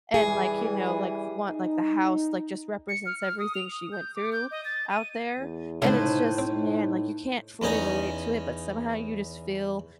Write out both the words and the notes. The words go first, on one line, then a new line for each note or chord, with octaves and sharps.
and, like, you know, like, f want like, the house, like, just represents everything she went through out there, and it's just man, like, you can't fully relate to it, but somehow you just feel
E3 G3 G#4
D#4
C#7
F6
F6
D#6
F7
D#6
G6
D6
G6
D#5
A6
D#7
E2
A2 C#3 G#3 D#4 B4 C5
C4 D#4
E2 C#4 D#4 G#5